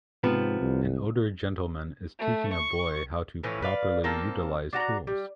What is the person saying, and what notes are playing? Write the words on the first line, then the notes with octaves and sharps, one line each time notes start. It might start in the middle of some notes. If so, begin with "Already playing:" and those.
An older gentleman is teaching a boy how to properly utilize tools.
G#2 C3 F3 B3
C2
A3
C#6
A2 E3 F3 C#4
B4 D5 F5
A#3 C4 F4 A4
D4 F#4 A#5
G3